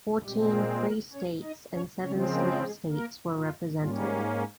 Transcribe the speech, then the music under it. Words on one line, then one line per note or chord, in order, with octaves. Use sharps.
Fourteen free states and seven slave states were represented.
A#2 G3 G#3 C4 G4
A#3 A#4
A#3 A#4
C#4 C#5
D#4 D#5
C#4 C#5
C#3 F3 G#3 C4 C#4 C#5
A#3 A#4
G#3 G#4
A#3 A#4
F4
G#2 G3 A#3 C#4 F4
G3 G4